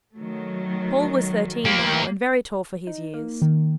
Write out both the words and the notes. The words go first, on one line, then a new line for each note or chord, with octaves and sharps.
Paul was thirteen now and very tall for his years.
D#3 F#3 A3
A#3 G4
D#4
A#3
D#3